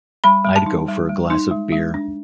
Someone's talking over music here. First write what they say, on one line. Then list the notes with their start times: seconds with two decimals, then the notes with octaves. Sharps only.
I'd go for a glass of beer.
0.24 G3 B5
0.45 G3
0.56 A5
0.66 D#4
0.88 G3
1.09 G3
1.30 D#4
1.51 G#3
1.72 G#3
1.94 D4